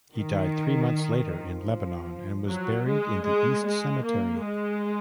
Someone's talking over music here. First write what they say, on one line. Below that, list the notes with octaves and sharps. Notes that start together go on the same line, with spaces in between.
He died three months later in Lebanon and was buried in the East Cemetery.
D#3
F3
F#3
G#3
G#3
G#3
A#3
G#3